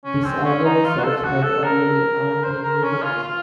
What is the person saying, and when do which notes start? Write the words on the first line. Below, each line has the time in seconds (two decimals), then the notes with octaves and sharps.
This earlier research had already earned him recognition.
0.05 C#4
0.24 C4
0.44 C#4
0.64 D#4
0.85 F4
0.99 F#4
1.04 A4
1.17 A4
1.24 F#4
1.44 A4
1.64 A#4
2.44 C5
2.63 A#4
2.83 C#4
3.03 F4
3.23 F4